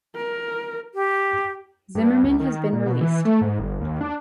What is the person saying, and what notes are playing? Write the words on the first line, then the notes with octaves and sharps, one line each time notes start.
Zimmermann has been released.
A#4
G4
G2
C#2
D#3
A#2
B2
E3
A3
G#2
G1
D#2
D4